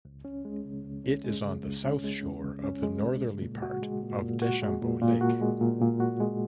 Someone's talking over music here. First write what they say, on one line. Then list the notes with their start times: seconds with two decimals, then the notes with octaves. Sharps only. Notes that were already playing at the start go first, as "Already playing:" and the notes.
It is on the south shore of the northerly part of Deschambault Lake.
0.05 C#2
0.25 C#4
0.45 G#3
0.65 C#3
0.84 C#2
1.04 C#4
1.24 G#3
1.44 C#3
1.63 C#2
1.84 C#4
2.04 G#3
2.23 C#3
2.44 C#2
2.64 C#4
2.83 G#3
3.03 C#3
3.23 A#2
3.42 A#2
3.63 F#4
3.83 G#3
4.03 A#2
4.22 A#2
4.42 F#4
4.62 G#3
4.82 A#2
5.02 A#2
5.21 F#4
5.41 G#3
5.61 A#2
5.81 A#2
6.00 F#4
6.20 G#3